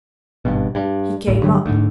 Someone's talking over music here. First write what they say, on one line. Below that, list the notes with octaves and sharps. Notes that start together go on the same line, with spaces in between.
He came up.
G#1 G2 B2
G2
D1 G#1 A2
G2 D3 F#3 G3
D2 G#2